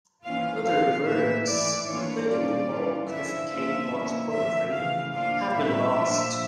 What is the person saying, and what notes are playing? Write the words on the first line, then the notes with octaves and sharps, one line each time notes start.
Other works, including the bulk of Caedmon's poetry, have been lost.
E3 A#3 C#4 F4 F5
F3 C#4 F4 F5
A2 E3 A#3 E5
E3 A3 E4 D5
E3 A#3 D4 F4 C#5
A#2 G3 C#4 F4 D5
E3 G3 C#4 F4
D3 F3 C#4 E4 E5
F3 A#3 C#4 F4 E5
D3 F3 A#3 C#4 E4
D3 F3 A3 C#4 E5
C#3 E3 A3 F5
F3 A#3 D4 F4 F5
A2 G3 C#4 E4 E5
A#2 F3 A3 D4 F4